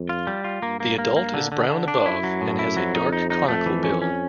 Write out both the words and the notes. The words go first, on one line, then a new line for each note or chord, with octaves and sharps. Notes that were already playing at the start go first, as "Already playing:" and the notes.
The adult is brown above and has a dark conical bill.
Already playing: F2
F4
G3
F4
G2 A#3
A#3
A#3
A#3
D3
D3
D3
D4
F#2 E4
F#3
A2
E4
F2 F#3
D#4
D#4
D#4
F2 A3
E3
C#4
C#4